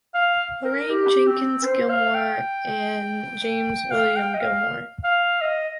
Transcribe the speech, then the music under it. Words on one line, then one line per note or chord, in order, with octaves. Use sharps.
Lorraine Jenkins Gilmore and James William Gilmore.
F5
A#4
G4
C4
C5
F5
G5
F5
G5
D#5
F5
F5
D#5